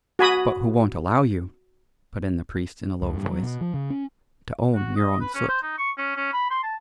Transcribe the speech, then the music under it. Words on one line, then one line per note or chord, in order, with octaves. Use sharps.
"But who won't allow you," put in the priest in a low voice, "to own your own soot."
F#4 G#5 B5 D#6
C#2
G2
F#3
B2
F3
C#3
C#4
F#4
D#5
B4
C#4
C5
D#4
C#6
C#4
C#4
B5
C6
A5